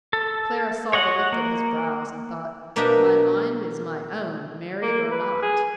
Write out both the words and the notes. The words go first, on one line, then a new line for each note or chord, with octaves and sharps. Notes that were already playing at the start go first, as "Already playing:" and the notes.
Clara saw the lift of his brows, and thought, "My mind is my own, married or not."
A4
C#5 D#5 F#5
A#3
B2 A#3 D4 G4 D#5 E5
A#3
B4
G#4